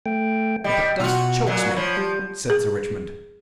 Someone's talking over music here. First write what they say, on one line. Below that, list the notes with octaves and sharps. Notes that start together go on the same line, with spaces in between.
"But the dust chokes me," said Sir Richmond.
A3 G5
G3 D#5 G5
B2 F4 F#4
A#2 F#3
F3 C#5 B5
G3
G#4